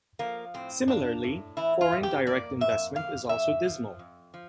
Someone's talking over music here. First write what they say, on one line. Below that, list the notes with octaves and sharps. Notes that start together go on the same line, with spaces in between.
Similarly, foreign direct investment is also dismal.
F3 A#3
A2 C4
A#3 D4
A2
E3 E4
F4
F2
G4
A#3 D5
F2 E5
D3 F5
F2 E5
F3
F2
F3